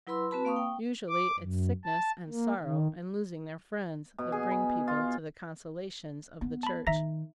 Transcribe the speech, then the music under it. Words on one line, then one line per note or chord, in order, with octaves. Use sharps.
Usually it's sickness, and sorrow, and losing their friends that bring people to the consolations of the church.
F#3 E4 B4 B5 C6 E6
C4 F#4 B4 A5 B5
A#3 F5 C#6 D#6
G5
D6
F#2
A5
A#3
D#3
B2
G#4
B5
F4
B3
A5 B5
D#3 E5 A#5 A#6